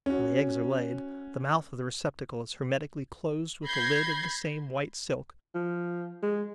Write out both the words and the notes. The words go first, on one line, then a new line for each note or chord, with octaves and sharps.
When the eggs are laid, the mouth of the receptacle is hermetically closed with a lid of the same white silk.
C#4 F#4
B5 G6 G#6 A#6 C7
F3
G#3